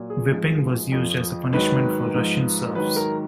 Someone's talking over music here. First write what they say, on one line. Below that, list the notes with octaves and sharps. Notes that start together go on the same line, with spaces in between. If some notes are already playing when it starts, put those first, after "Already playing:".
Whipping was used as a punishment for Russian serfs.
Already playing: A#2 F#3
G#4
G#2 F3
F2 F3
G#2 D#3 F#3 B4
G#2 F3
G#2 D#3 F#3 B4
A#4